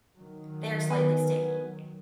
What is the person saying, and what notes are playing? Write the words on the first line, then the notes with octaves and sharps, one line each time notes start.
They are slightly sticky.
D#3 F#3
B3 B4 G#5